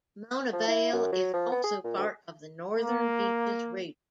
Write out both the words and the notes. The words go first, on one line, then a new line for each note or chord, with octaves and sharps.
Mona Vale is also part of the Northern Beaches region.
F3
E4
F#2
F#3
F3
B3
G#4
A#2
D2
A#3